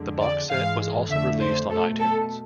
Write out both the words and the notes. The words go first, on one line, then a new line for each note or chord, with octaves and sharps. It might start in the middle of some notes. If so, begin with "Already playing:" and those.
The boxset was also released on iTunes.
Already playing: F2 D3 G#3
D5
G#2 E3 G#3 F5
F2 D3 A3 E5
C5
B2 A3 A4
A4